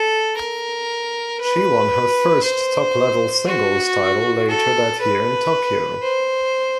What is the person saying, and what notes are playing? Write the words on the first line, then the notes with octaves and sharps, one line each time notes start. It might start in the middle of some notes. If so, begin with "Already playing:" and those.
She won her first top-level singles title later that year in Tokyo.
Already playing: A4
A#4
B4
C5
F#4
A4
B4
C5